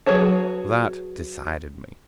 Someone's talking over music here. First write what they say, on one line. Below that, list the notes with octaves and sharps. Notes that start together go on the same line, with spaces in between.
That decided me.
F#3 G#4 B4 C#5 A5